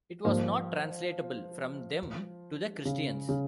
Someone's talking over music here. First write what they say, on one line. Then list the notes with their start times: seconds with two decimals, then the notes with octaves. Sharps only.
It was not translatable from them to the Christians.
0.25 G#2 F3 G3 A#3
2.85 C#3
3.29 C#3